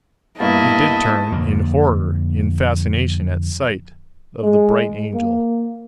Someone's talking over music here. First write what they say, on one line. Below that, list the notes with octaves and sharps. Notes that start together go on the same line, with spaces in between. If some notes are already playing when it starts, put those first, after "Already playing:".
He did turn, in horror, in fascination at sight of the Bright Angel.
G2 A#3 B3 E4 D#5 A5
F2 D3 A#3
G#3
A#3